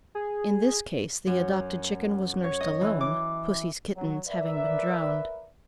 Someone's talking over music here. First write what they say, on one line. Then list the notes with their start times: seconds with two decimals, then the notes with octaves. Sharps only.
In this case the adopted chicken was nursed alone, pussy's kittens having been drowned.
0.15 G#4
1.27 F#2
2.44 C#5
2.60 D#5
2.81 E3
3.01 D6
3.97 F#3
4.28 A#4 B4 D5 E5